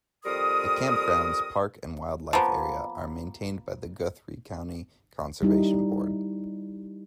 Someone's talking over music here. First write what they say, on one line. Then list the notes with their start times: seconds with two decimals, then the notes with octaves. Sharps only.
The campgrounds, park, and wildlife area are maintained by the Guthrie County Conservation Board.
0.25 F2 G3 A#4 C6 D#6
2.33 F3 A#3 B3
5.43 G3 D#4 E4